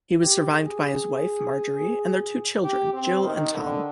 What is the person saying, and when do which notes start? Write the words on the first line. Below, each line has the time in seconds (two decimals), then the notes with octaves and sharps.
He was survived by his wife, Marjorie, and their two children, Jill and Tom.
0.20 G4
0.51 G#4
2.63 G4
2.93 C4
3.23 D#3
3.54 D3